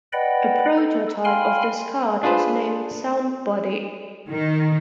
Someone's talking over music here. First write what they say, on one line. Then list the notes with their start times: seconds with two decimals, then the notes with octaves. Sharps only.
A prototype of this card was named "Sound Buddy".
0.13 B4 D5 D#5 F#5 G5 B5
0.77 A4
1.25 F5 G5 G#5 B5 C6 F6
2.23 D4 F4 G#4 B4 C5
4.29 D#3